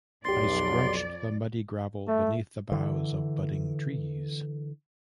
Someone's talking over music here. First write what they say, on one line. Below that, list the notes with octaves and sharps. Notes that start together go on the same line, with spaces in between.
I scrunched the muddy gravel beneath the boughs of budding trees.
B1 F2 G4 D5 C6 A6
A3 E5
D3 E3